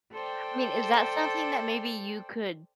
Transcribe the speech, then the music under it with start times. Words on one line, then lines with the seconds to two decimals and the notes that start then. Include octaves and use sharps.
I mean, is that something that maybe you could
0.12 A4 C5 D5 G5